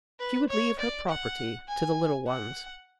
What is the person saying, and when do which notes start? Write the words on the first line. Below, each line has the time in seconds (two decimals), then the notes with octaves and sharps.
She would leave her property to the little ones.
0.20 B4
0.50 C#5
0.79 D5
1.09 F#5
1.68 G#5
2.28 F#5